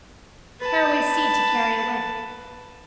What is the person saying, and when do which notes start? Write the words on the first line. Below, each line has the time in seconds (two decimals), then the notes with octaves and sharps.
Caraway seed to carry away.
0.60 B4 A5